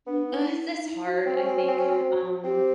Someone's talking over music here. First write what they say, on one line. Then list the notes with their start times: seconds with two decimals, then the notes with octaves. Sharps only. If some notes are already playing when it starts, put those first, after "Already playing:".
Uh, it's just hard, I think. Um
0.07 B3 D4
0.26 D#4
0.46 E4
0.66 D#4
0.85 E4
1.05 F#4
1.26 C4
1.36 C#4
1.46 C4
1.57 C#4
1.68 C4
1.78 C#4
1.89 C4
2.44 C4 G4